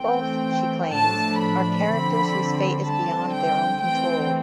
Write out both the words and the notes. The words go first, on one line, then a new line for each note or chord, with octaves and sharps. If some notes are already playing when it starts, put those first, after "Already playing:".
Both, she claims, are characters whose fate is beyond their own control.
Already playing: E3 A3 C4 G5
A2 F3 A3 D4 A5
B5
D3 F3 C4
D3 G3 C4 A5
G5
E3 A3 C4 G5